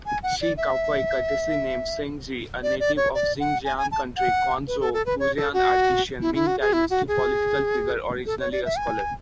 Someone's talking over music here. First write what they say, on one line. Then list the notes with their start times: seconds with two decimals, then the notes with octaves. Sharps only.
Shi Caocai, courtesy name Shengzhi, a native of Jinjiang County, Quanzhou, Fujian, artisan, Ming Dynasty political figure, originally a scholar.
0.06 G#5
0.23 F#5
0.41 D5
0.57 E5
2.63 D5
2.80 D5
2.96 C#5
3.15 D5
3.40 F#5
3.65 G#5
3.77 G#5
3.91 A5
4.17 F#5
4.67 B4
4.80 A4
4.93 A4
5.06 B4
5.19 C#5
5.36 A4
5.53 F#4
6.21 E4
6.34 E4
6.47 F#4
6.60 G#4
6.73 E4
6.90 F#4
7.08 G#4
8.26 A4
8.40 C#5
8.52 D5
8.65 E5
8.77 G#5